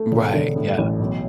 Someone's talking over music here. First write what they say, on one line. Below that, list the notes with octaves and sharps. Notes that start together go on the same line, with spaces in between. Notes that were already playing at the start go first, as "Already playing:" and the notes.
Right, yeah.
Already playing: A3
E1
D3
A2
A1
B1